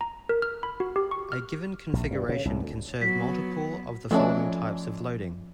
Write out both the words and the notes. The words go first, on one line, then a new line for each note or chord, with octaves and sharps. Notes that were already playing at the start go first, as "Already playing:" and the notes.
A given configuration can serve multiple of the following types of loading.
A#5
A#4
F6
B5
F#4
G4
C#6
F6
A#1
G2
C#3
C2
D2
F#3 B3 B6
E3 F3 G#3 A3 C#4 D4